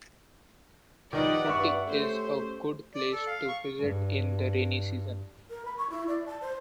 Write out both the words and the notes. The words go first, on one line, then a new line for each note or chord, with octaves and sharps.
Ooty is a good place to visit in the rainy season.
D#3 F3 G3 G#3 D#4 B4 D5 F#5
G2 E5 C#6
A3 C#4 G4 A4 C5
D5
A4
F5
C#6
G2
A#4
B5
C#6
E4
D5
A5
C5